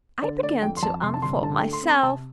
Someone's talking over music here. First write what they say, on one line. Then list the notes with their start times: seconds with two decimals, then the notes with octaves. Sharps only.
I begin to unfold myself.
0.22 D3 D5
0.42 A3 D5
0.62 F2 G5
0.77 C6
0.83 F2 A5
1.02 C3 C6
1.14 A5
1.22 G1 C6
1.42 D3 A5
1.58 G5
1.63 A3
1.73 C6
1.83 C4
1.89 C6
2.03 C3 A5